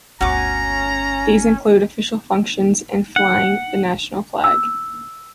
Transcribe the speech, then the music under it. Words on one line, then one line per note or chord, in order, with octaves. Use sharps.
These include official functions and flying the national flag.
G1 D2 C#4 F#4 A#5 D6
F#5
E6